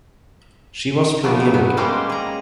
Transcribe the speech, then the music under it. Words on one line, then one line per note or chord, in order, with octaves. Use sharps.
She was from Munich.
C#3 F3 F#3 A3 B3 D4
B3
G3 G#3 A#3 C#4 G4 C5
G#4 A#5